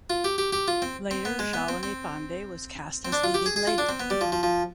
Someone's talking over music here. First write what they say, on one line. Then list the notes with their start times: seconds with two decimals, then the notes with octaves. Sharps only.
Later Shalini Pandey was cast as leading lady.
0.10 F4
0.24 G4
0.38 G4
0.53 G4
0.68 F4
0.82 C4
1.11 C4
1.25 B3
1.39 G#3
1.53 B3
1.69 C4
1.83 C4
3.05 C4
3.12 D4
3.24 F4
3.34 G4
3.46 G#4
3.56 G#4
3.67 F4
3.78 D4
3.89 C4
4.00 B3
4.10 G3
4.21 F3
4.32 F3
4.43 F3